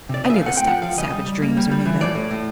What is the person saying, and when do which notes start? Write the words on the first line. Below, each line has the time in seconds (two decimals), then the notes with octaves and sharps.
I knew the stuff that savage dreams are made of.
0.09 C3 D5
0.23 C#3 D#5
0.30 E5
0.34 A3 F5
0.46 F#5
0.53 C4 G5
0.67 F3 F#5
0.82 F3 F5
0.97 C#3 D#5
1.13 G3
1.26 G3
1.42 A#3
1.57 G3
1.71 G3
1.85 E3
2.00 A2 D5
2.15 A2
2.31 A2